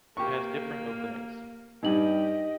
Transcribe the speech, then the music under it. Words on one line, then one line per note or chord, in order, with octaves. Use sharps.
It has different openings.
A#3 G4 C#6
G2 G3 D#4 G4 D#5 F#7